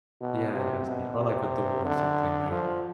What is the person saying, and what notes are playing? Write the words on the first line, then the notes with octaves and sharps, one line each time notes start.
Yeah, yeah, I see, or, like, a door or something, right?
B2
C3
B2
C3
D3
F3